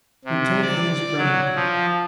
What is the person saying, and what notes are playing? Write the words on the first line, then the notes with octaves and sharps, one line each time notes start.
Lieutenant Haines groaned.
C3
D5
F#3
F3